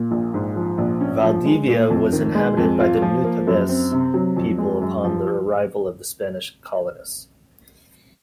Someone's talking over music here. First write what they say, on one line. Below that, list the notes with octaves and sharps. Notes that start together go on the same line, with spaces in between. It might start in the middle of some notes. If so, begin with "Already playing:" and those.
Valdivia was inhabited by the Nutabes people upon the arrival of the Spanish colonists.
Already playing: A#2
A#1
G#2
F3
A#1
C#4
F3
G#3
A#2
F2
D#3
G#3
F2
F4
F3
A#3
F#2
C4
C3
F#3
F2
G#3
F#2
F3